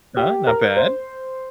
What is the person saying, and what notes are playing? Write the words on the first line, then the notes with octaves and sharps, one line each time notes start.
Uh, not bad.
G4
A#4
C5